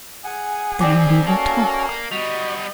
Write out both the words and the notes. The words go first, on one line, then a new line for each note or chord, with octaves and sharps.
Then we will talk.
G#4 F#5 G#5
F2 C4 D5 G5 D6
C#4 F#4 A4 A#4 F5
G3 B3 F#4 D#5 F7